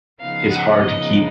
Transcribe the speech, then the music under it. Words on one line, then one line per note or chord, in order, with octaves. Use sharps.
it's hard to keep
C#3 F3 B3 D#4 F5
F#5
D#5